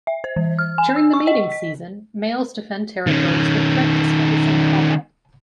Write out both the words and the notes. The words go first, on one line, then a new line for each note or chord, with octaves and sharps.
During the mating season, males defend territories with threat displays and combat.
E5
C5
E3
F6
G#5
E6
C#6
D#5
B6
D#3 C#4